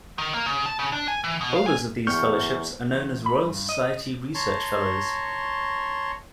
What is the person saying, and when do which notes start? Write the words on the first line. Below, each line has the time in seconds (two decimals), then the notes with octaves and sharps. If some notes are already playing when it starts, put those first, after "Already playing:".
Holders of these fellowships are known as Royal Society Research Fellows.
0.18 D#3
0.34 A#3
0.46 C#3
0.66 A5
0.79 C#3
0.92 D4
1.08 G#5
1.24 E3
1.41 B2
1.55 F5
1.67 G#5
2.07 E2 B3 D5 G5 C#6 F6 G6
2.91 E2
3.26 B5
3.43 G2
3.69 D#5
4.35 C#5 A5 A#5 C6 C#6